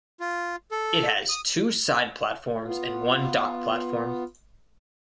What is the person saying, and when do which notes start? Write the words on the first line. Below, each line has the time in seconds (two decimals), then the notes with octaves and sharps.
It has two side platforms and one dock platform.
0.20 F4
0.71 A4
1.29 D#6
2.65 B3 F4